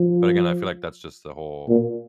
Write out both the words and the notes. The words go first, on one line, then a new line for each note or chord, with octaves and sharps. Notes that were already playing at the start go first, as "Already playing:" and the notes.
But, again, I feel like that's just the whole
Already playing: F3
A#2